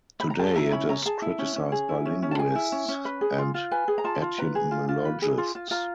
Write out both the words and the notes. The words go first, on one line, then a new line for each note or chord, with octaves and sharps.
Today it is criticized by linguists and etymologists.
B5
A#5
G#4 A5
E4 A#5
C#4 B5
C#4 A#5
G#4 A5
E4
C#4
C#4
G#4
E4
C#4
C#4
A5
G#4 G#5
E4
C#4
C#4
B4
G#4
F4
F4
B4 G#5
G#4
A#5
F4 A5
F4
B4 A#5
G#4
F4
F4
B4
G#4
F4
F4
F4 A#5